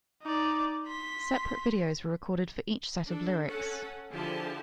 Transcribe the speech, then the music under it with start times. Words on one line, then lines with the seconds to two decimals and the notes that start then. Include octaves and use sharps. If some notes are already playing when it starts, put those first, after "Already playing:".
Separate videos were recorded for each set of lyrics.
0.22 D#4 D5
0.87 C6 B6
3.06 D4 A4
3.46 C#4 A4 F#5
4.11 D3 F3 E4 G4 G#4 A5